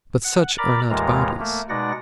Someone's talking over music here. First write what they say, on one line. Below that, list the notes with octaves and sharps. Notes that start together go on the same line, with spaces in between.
But such are not bodies.
F#5
A#4 D5 A#5 B5 D6
D#2 A2 E3 G#3 F4 A#5
A3 A#3
B2 G#3 D#4 D5 F#5 A#6